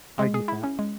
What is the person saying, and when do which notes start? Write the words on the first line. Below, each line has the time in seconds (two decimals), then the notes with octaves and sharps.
I get that.
0.19 G#3
0.34 G#4
0.48 E4
0.64 C#4
0.79 G#3